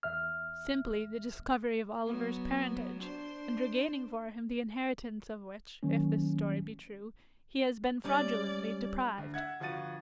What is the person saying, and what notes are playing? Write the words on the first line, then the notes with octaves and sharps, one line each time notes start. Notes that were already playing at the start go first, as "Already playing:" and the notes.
'Simply, the discovery of Oliver's parentage, and regaining for him the inheritance of which, if this story be true, he has been fraudulently deprived.'
E2 E5 F6
F#3 B3
D4 C5
D#3 F#3 A#3 C#4
G3 C#4 D5
D2
E5 F#5 G#6
G1 F3 F#4 F#5 A6 D#7